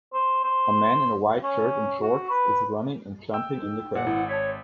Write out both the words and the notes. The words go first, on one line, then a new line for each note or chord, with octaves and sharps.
A man in a white shirt and shorts is running and jumping in the grass.
C5
C5
C#4
F#4
B4
G5 E6
D#4 A4
A#2 F#5 E6 C#7
G#1 E4 B4 C5
C#5 A5 G#6 B6